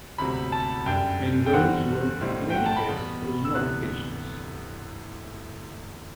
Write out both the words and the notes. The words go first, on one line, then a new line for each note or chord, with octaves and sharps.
Mengoni's work, in any case, was not hitchless.
E1 D2 C3 F#3 C4 B5
A5
F#2 D3 G3 D4 G5
G5
E2 D3 G3 C4 F#5
B1 A2 G3 C4
G5
F#5
A5
B5
E2 B2 G3 B3
E6
D2 C3 E3 B3 D4 F#6